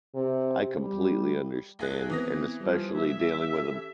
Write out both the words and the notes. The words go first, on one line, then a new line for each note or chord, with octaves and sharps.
I completely understand, and especially dealing with a
C3
G3
A#1 G#4 F#6
E3 B3 C4 D#6 A#6
F3 G3
E5
C#4 G4 A4